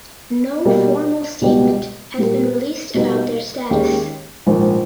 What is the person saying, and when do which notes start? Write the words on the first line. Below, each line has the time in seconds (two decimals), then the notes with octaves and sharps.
No formal statement has been released about their status.
0.65 B2 G3 A#3
1.41 C#2 B2 G3 B3 G4
2.18 A#2 G3 A#3
2.94 B2 G3 B3 D#4
3.70 D#2 D#3 G#3 C#4 G4
4.46 A#1 G#2 D#3